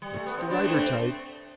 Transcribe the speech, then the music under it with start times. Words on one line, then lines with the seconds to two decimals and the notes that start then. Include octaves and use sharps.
'That's the writer-type.
0.02 G3
0.14 A3
0.26 B3
0.38 C4
0.50 B3 D4
0.63 A3 C4
0.76 A3 C4